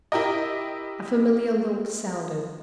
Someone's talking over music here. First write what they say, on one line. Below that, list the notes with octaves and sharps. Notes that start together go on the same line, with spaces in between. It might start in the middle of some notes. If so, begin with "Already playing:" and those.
A familiar lilt sounded.
E4 G4 A#4 D#5